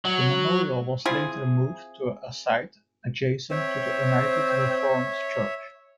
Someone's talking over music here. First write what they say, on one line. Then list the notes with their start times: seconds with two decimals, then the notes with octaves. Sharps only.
The memorial was later moved to a site adjacent to the United Reformed Church.
0.05 F#3
1.05 C4 E4 F4 G#4
3.51 C4 C#5 E5